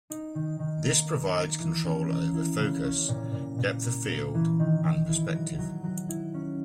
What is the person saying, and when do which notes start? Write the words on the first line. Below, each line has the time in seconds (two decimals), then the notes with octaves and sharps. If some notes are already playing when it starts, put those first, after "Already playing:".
This provides control over focus, depth of field, and perspective.
0.10 D#4
0.35 D#3
0.59 D#3
0.84 A#3
1.09 A#3
1.34 A#3
1.60 E3
1.85 C#4
2.09 A#3
2.34 E4
2.59 C#3
2.84 C#4
3.08 A#2
3.34 A#2
3.58 A#2
3.84 A#3
4.09 A#3
4.34 E3
4.59 D#3
4.84 D#3
5.09 E4
5.34 F#3
5.58 F#3
5.84 F#3
6.09 E4
6.34 C#4